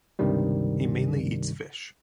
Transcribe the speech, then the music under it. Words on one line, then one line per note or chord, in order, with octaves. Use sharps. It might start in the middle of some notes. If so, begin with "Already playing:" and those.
He mainly eats fish.
C#2 G2 C3 D#3 G3